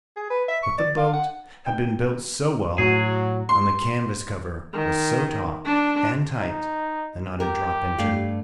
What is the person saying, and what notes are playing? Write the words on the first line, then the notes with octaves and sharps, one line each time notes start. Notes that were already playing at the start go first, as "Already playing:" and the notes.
But the boat had been built so well and the canvas cover was so taut and tight that not a drop entered.
G#4
B4
E5
C#6
D5
F5
F#5
G5
A2 F#3 F#4 G#4
C6
D#3
D4
D#4
G4 A#4
G2 A3 F5